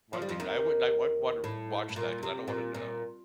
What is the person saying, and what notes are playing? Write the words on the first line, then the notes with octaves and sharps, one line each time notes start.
Why do they th I wouldn't I I wouldn't wanna watch that 'cause I don't wanna know.
F3
G3
F2 F3
D#2 D#3
A2
A2
A#2
C3
A#2
A#2